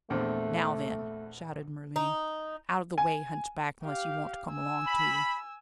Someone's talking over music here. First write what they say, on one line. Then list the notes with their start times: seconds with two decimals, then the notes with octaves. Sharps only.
"Now then," shouted Merlin, "out of the way, hunchback, unless you want to come along too."
0.10 A#1 E2 A3 C4
1.96 D#4
2.98 G#5
3.83 G4 F5
4.53 G#5 E6
4.86 B5